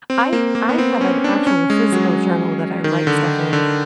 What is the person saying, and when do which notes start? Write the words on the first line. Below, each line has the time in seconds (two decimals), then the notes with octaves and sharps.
I I have an actual physical journal that I write stuff in,
0.10 C4
0.33 A#3
0.55 A#3
0.69 B3
0.78 C4
1.01 C#4
1.24 D4
1.47 C#4
1.70 G#3
1.92 F#3
2.84 D#3
3.07 D3
3.53 D3